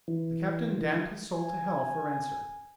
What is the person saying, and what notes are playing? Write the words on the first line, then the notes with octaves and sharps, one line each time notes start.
The Captain damned his soul to hell for answer.
E3
G#5